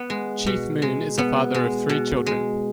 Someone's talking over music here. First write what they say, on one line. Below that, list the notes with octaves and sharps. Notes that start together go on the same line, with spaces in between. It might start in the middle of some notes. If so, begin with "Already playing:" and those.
Chief-Moon is a father of three children.
Already playing: B3
G#3
B2
G#3
B2 B3
G#3
B2
G#3